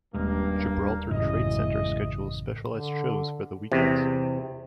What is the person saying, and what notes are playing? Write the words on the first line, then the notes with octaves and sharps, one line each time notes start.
Gibraltar Trade Center schedules specialized shows for the weekends.
D#1 G2 G#3 A#3
A1 F#2 C#3 G#3 E4 D#5
D3
E2 C3